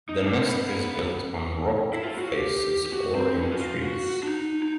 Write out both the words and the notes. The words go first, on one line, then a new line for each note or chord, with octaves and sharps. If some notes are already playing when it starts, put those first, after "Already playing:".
The nest is built on rock faces or in trees.
D#4
D4
C#4
C4
B3
A#3
B3
B3
E4
F4
F#4
G4
G4
F#4
C4
C4
C#4
F#4
F4
F#4
D4
D#4
D#4